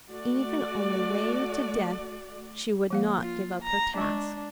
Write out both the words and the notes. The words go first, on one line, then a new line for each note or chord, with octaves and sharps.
Even on the way to death she would not give up her task.
A3 F#4 D5
F3 A#3 F5
F4
A#5
G#3 D4 C#6